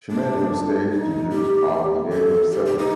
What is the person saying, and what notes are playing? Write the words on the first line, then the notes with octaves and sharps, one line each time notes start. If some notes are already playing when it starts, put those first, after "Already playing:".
She made her stage debut at the age of seven.
D4
D#4
G4
A4
G4
G4
D#4